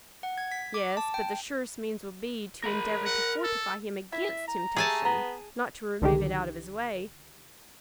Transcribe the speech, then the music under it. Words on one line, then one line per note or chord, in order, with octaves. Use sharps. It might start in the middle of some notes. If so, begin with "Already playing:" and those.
'Yes, but the surest means will be to endeavour to fortify him against temptation, not to remove it out of his way.'
F#5
G#6
B6
D6
A5
G5
A#4 B5
F#5
A4
E4 E5
A#5
A3 G4 G#4 G#5 A5
B3 A#5
C2 D3 D#3 G4